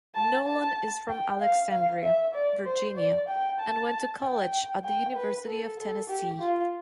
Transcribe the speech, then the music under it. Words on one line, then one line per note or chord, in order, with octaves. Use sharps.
Nolan is from Alexandria, Virginia and went to college at the University of Tennessee.
A5
A5
G5
F5
F5
E5
D5
C5
D5
G5
A5
G5
G5
B4
A4
A4
G4
F4